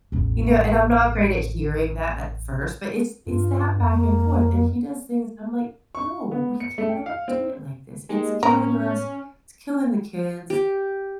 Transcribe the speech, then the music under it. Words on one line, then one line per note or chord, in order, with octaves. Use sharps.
you know, and I'm not great at hearing that at first, but it's it's that back and forth, and he does things, I'm like, "No, we cannot do it like this, it's killing us, it's killing the kids.
A1 E2
G2 F4
F2
A#3
C#6
B3
C#7
A3
G5
F5
C4
G#3 A#3 D#4 G4
A2 A#3 B3 C#4 A#4
G4